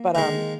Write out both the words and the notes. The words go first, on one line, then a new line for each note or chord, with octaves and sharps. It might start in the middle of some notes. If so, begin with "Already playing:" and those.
But, um,
Already playing: A#3
D#3 G#3